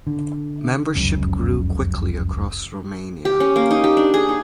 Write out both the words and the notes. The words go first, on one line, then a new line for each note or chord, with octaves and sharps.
Membership grew quickly across Romania.
D3
F1 C#2 F#2 C#3
G4
C#4
A#3
D#4
G4
D4
G#4
D#4